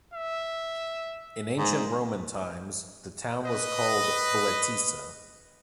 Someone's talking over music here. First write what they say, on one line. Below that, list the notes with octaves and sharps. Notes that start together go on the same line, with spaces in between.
In ancient Roman times, the town was called "Bletisa".
E5
G#2
B4 D#5